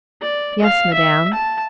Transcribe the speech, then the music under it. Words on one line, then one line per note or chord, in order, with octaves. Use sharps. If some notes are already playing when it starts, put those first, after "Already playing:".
"Yes, Madame."
D5
F5
E5
A5